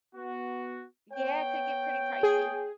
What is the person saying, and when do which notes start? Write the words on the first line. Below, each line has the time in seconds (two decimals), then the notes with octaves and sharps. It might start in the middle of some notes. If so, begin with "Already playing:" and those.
Yeah, it could get pretty pricey.
0.15 B3 F#4
1.12 B3 C#5 G5
2.23 G#4